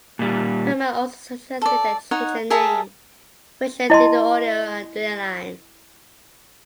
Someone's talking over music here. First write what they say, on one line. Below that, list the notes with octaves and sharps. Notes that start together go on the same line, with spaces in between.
Herdman also suggested they change their name, which they did to Audio Adrenaline.
A#2 G3
A4 D5
D#4 C#5 F#5
G#4 A#4 E5 A5
E4 D#5 A5 C6